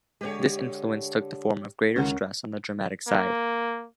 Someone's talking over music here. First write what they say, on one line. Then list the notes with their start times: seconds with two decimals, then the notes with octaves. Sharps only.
This influence took the form of greater stress on the dramatic side.
0.21 D3 G#3 G4 B4 C#5
1.96 C#2 D3 A3 C#4 A#4 F#5
3.08 A#3